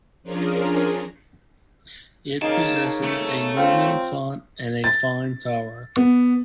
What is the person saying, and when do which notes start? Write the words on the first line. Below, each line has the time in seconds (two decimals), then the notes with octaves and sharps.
It possesses a Norman font and a fine tower.
0.23 F3 C#4 D4 F4 G#4 A#4
2.42 C#3 A#3 D#4 A5
3.04 A3
3.57 C4 F4 F5
4.84 A6
5.97 B3